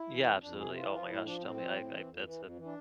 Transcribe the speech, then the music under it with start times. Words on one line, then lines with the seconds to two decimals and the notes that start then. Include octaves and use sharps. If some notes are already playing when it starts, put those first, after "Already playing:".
Yeah, absolutely, oh my gosh, tell me I I that's a
Already playing: E4
0.10 E3
0.26 F2
0.42 F2 D4
0.58 C3 G#4
0.75 E3 F4
0.92 F3 F4
1.08 A2 E4
1.24 F3 D4
1.41 A2 C4
1.57 F3
1.74 A2
1.91 E3
2.06 F2
2.24 E3
2.40 F2
2.56 E3
2.65 D4